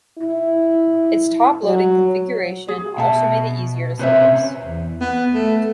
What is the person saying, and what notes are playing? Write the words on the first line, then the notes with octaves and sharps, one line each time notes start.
Its top loading configuration also made it easier to service.
E4
F#3
G#4
B2 E5 A5
C3 C#4 B4 C5 E5
E2
B3
A3